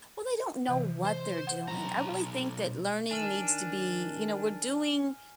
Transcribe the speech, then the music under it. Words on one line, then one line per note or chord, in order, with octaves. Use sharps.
Well they don't know what they're doing. I really think that learning needs to be you know, we're doing
C3 E3
C5
F#5
B1 A#5
D#3 D4 G#5 F6 D#7